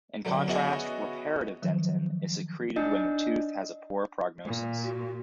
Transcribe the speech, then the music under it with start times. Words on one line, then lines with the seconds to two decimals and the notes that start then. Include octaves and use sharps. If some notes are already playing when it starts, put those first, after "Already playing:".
In contrast, reparative dentin is secreted when the tooth has a poor prognosis.
0.25 B1 D3 F#3
0.48 B3 C#4 E4 F#4 G#4 D#5
1.62 D#3 F3 F#3
2.76 D4 D#4 D#5
4.46 A#2
4.83 F#4